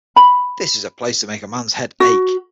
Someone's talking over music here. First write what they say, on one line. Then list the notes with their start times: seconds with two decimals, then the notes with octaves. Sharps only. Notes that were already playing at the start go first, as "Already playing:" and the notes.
This is a place to make a man's head ache!
0.16 B5
2.00 F#4